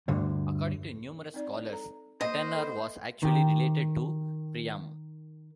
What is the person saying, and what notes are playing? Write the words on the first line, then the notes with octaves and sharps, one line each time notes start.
According to numerous scholars, Antenor was actually related to Priam.
D2 G2 D3
C4 D#4 D5
A4 A#5
A#3 C5 D#5
A4 B4 B5
D#3 G4